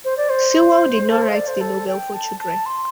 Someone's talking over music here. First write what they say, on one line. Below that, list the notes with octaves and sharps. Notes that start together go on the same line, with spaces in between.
Sewell did not write the novel for children.
C5
D5
C5
A4
C5
F5
D5
C5
A4
G5
A5
A5
C6